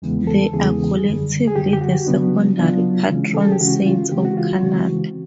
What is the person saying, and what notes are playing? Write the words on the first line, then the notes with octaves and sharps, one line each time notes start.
They are collectively the secondary patron saints of Canada.
E2 C#3 E3 G#3 B3
A4
E2 C#3 E3 G#3 B3 G#4
F#2 D3 G3
G#4
F#2 D3 G3 G4
G4
F#4
C#3 F#3 B3 D4
C#3 F#3 B3 D4 F4
C#3 E3 G#3 C#4
A4
G#4
G4
C#3 E3 G#3 C#4 F#4
F4
C#3 E3 G#3 C4 G4
F#4
F4
F#4
C#3 E3 G#3 C4